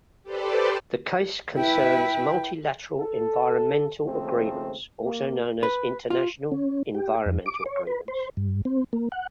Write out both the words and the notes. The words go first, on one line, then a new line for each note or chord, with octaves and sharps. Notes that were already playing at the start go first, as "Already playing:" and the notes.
The case concerns multilateral environmental agreements also known as international environmental agreements.
G4 A4 B4 C5 D5
E4 B4 G5
A4
D#2 C#3 F3 A3 C4
A#3
B4
F4
C#4
G4
F2
D6
C#5
B4
C5
G2
C4
A#3
F#5